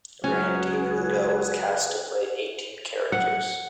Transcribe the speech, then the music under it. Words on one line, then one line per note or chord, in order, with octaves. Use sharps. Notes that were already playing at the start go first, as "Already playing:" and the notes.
Randeep Hooda was cast to play eighteen characters.
C#2 F#3 C#4 G#4 B4 F#6
F#5